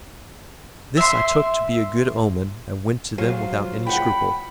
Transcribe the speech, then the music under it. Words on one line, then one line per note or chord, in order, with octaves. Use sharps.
This I took to be a good omen, and went to them without any scruple.
E5 C6
F#3 F4 C5
F#5 G5 B5